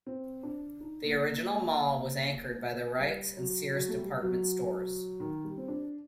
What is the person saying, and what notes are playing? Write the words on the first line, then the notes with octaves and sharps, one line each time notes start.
The original mall was anchored by the Rike's and Sears department stores.
C4
D4
D#4
A#3
A#3
G3
F#3
F#3
A3
G3
F#3
D#3
G3
C4
D4